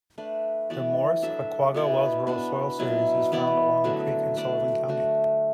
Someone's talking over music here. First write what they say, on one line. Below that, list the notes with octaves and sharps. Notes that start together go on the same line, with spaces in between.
The Morris-Oquaga-Wellsboro soil series is found along the creek in Sullivan County.
A3 D4 B4
E3 B3 F#4 D5
F#3 D4 A4 E5
B2 B3 E4 D5
B3 D4 F#4
B2 F#3 B3 E4
E3 B3 E4 D5
D3 F#3 A3 F#4
A3 D4 B4 D5
D3 A3 F#4